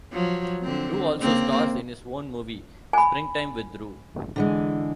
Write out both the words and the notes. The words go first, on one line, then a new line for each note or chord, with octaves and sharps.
Roo also stars in his own movie, "Springtime with Roo".
F3 F#3
D3 C4
C#3 A#3 C4
G#5 B5
D3 E3 G#3